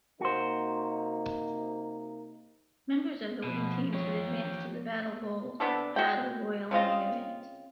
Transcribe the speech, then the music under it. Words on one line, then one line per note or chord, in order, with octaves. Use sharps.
Members of the winning teams would advance to the BattleBowl battle royal main event.
C3 A#3 D#4 F#4 C5
B2 F3
G4 C#5
C3 B3 D4 A4
F#4 G5
C#3 C4 F4 D#5